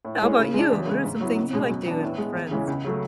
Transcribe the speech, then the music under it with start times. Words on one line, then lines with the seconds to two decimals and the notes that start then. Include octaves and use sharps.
How 'bout you? What are some things you like doing with friends?
0.05 A2
0.22 G#3 C#4 E4
0.39 C#3
0.54 G#3 D4
0.71 E2
0.87 C#3 G#3
1.04 G#2
1.21 F#3 B3 E4
1.36 C#2
1.53 B2 G#3
1.69 F#2
1.86 E3 B3 D4
2.02 A2
2.18 G#3 B3
2.35 E2
2.51 C#3 E3 G#3 C#4
2.67 C#2
2.84 C#3 F#3 A3